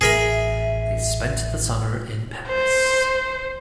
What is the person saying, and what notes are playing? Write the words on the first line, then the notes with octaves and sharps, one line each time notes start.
They spent the summer in Paris.
A1 B2 G#4 A#4 E5 B5
C5